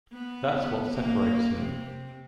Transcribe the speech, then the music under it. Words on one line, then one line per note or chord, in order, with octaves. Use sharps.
That's what separates him.
B3
A#3
C3